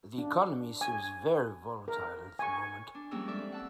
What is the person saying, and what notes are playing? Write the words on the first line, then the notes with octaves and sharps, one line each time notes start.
The economy seems very volatile at the moment.
D4
G#5
A#4
G#5 C#6
D4
F2 G3 G#3 A#3 C#4 E6
A4 D5 E5
C4
F#5 A5 E6